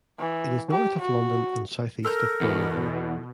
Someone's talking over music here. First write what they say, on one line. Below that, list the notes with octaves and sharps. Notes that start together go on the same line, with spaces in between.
It is north of London and southeast of Birmingham.
E3
G4
F#4
A4 A#4 F6 G6
E2 B2